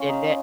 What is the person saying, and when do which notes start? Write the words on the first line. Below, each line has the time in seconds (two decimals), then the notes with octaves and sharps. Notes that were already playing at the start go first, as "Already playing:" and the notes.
Did it?
Already playing: C#4 F4
0.09 D#4